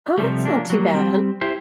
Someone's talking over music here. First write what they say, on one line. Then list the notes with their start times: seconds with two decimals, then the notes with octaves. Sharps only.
Oh, that's not too bad.
0.18 C3 F3 G3 A3
0.45 F3 A#3 C#4 D4
0.70 F#3 G3 A#3
0.93 G3 C4
1.41 E4 G4 C5